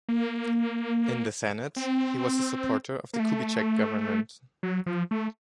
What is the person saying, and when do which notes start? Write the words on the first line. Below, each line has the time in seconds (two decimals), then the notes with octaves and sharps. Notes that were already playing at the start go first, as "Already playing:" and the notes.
In the Senate, he was a supporter of the Kubitschek government.
0.09 A#3
1.76 C4
3.13 A#3
3.19 A3
4.63 F#3
4.86 F3
5.11 A3